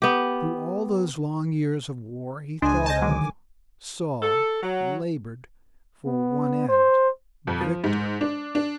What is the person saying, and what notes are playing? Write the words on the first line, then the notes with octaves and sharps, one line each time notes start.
Through all those long years of war he thought of, saw, labored for one end--VICTORY.
B3 G4
C#2 D4 C5 D#5 G#5
A5 G6 A#6
D3 D#3 F#3 G#3 D6
A4
F#3
B3
C5
F2
F3
G#2
D4
D4